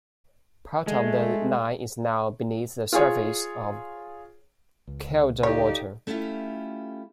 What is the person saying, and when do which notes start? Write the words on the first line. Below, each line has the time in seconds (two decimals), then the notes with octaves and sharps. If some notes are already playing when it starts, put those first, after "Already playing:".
Part of the line is now beneath the surface of Kielder Water.
0.87 G#3 A3
2.93 F4 G#4 C#5
4.88 C#2
5.43 D#4 G4 A4 C#5 D5 F5
6.07 A3 C#4 E4 F4 G4